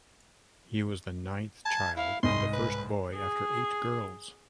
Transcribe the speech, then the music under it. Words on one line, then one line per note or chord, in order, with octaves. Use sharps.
He was the ninth child and the first boy after eight girls.
A5 G#6
E4 F5
C2 G#2 D#5 C6
B4
G#4